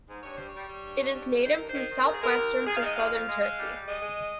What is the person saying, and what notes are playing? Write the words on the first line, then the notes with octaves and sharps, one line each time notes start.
It is native from southwestern to southern Turkey.
G#2
G2 C#5
G3 C5
C#5
G3
G3
G2
G2
G3
F2
D#3 C5
G2 A#4
D#3 C5
D#3
G#2 A#4
G#4
G#3 A#4
D#2
D#2
D#3 G#4
F5
G#3 D#5
F2 F5
F2
G#3
G#3
G3
G3
G#3 D#5
G#3